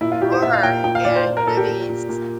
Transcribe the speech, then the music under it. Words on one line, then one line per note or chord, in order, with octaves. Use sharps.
hurt and living s"
A#2 E4
F4
A#2 G4
C5
A#2 E5
F5
A#2 G5
A#2 G5
F5
A#2 D5
C5
A#2
A#4
A#2 A4
G4
A#2
A#2
A#2